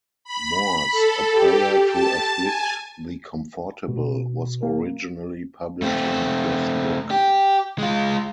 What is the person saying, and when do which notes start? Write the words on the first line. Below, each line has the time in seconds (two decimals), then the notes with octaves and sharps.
Moore's "A Prayer to Afflict the Comfortable" was originally published in this book.
0.24 B5
0.91 A4
1.33 G4
1.89 A5
2.43 G#5
3.88 B2
4.63 A#3
5.82 A3 C4
7.11 G4
7.78 G#3 F4